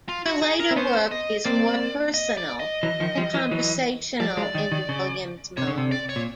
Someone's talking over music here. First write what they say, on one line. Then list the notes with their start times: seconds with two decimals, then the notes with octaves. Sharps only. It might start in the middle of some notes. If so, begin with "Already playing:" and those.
Her later work is more personal and conversational in the Williams mode.
0.09 F4
0.26 F#4
0.42 G#4
0.60 A#4
0.71 C4
0.76 B3 C#4 C5
1.11 D#5
1.45 A#3 C4 D5
2.14 D#5
2.37 D5
2.60 D#5
2.83 E3 F#3
3.00 D#3 F3
3.17 F3 G3
3.34 E3 F#3
3.51 E3 F#3
4.20 F3 G3 D5
4.37 F#3 G#3
4.55 D#3
4.72 D#3
4.89 C#3
5.57 C3 C#5
5.67 C#3
5.78 C3
5.92 D5
6.09 C#5
6.16 A#2